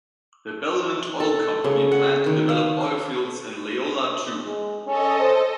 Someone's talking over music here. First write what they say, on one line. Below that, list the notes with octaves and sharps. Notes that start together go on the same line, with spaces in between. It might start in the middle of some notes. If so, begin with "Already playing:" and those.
The Belmont Oil Company planned to develop oil fields in Leola, too.
A4
C#3
F#5
D#3
F5
G#3
C#4 A4 D#5
C5